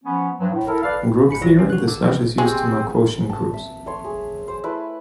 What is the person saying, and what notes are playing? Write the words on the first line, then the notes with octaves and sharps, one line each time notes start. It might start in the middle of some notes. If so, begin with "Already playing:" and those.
In group theory, the slash is used to mark quotient groups.
F3 B3 C#4
G2 F3 F#3
A2
E4 A4 A#4
A4 B4 D5 F5
G#2 B5 C#7
B1 D3 E3 F4 A#6
C3 F#3 C#4
F#4 F#6
D3
C#3 E3 F3 G#3 F4 G4
G#3 C4 G4 G#4 G#5 C#6
A5
E5
A3 C#5 C6
G#4
C5
A3 E4 B4 E5